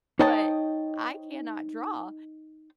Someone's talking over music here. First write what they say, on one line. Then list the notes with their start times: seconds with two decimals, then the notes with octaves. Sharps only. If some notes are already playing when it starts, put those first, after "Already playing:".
But, I cannot draw,
0.19 D#4 C5 C#5 D#5 G5 A5